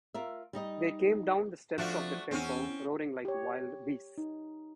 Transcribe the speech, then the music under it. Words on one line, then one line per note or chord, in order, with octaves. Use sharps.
They came down the steps of the temple roaring like wild beasts.
F4 A#4 E5
G3 D#4 D#5
F3 A3 D4 F#4
E2 C4 C#4
G4 C#5
D#4